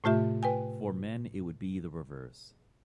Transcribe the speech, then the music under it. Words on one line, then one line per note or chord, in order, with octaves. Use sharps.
For men, it would be the reverse.
A2 C3 A3 F4 G4 E5
B4 G5 G#5